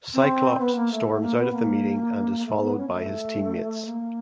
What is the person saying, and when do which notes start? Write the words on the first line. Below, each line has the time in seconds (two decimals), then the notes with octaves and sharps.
Cyclops storms out of the meeting and is followed by his teammates.
0.13 C4
0.59 B3
0.75 A#3
0.91 A3
1.06 A3
1.21 A#3
1.37 B3
1.52 A#3
2.45 A3
2.56 A#3
2.61 B3
2.77 C#4
2.88 A#3
2.92 A3
3.85 A#3